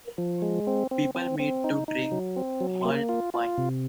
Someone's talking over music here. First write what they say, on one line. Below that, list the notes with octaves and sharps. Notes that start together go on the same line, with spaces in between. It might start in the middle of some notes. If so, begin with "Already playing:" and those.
People meet to drink mulled wine.
F3
G#3
C4
C4
C4
C4
D#4
D#4
F#3
C4
F#3
A#3
F4
F4
C3